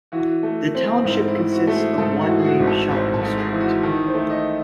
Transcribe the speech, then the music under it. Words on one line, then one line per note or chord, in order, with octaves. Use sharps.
The township consists of one main shopping street.
E3 F#4
A3
C4
G#2 E4
E4
E3
F#4
A3
G#4
G#2 A4
F#4
E3
G#4
F#4
G#1
A4
G#1 C5
A4
G#2
G#4
E3
F#4
D#3 A4
C5
A3
D#5